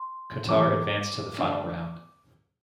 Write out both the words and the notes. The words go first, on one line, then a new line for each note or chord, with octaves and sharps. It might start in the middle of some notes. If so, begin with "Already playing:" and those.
Qatar advanced to the Final Round.
Already playing: C6
F#1 E2 C3 E3 A3 D6
D3 A3 D4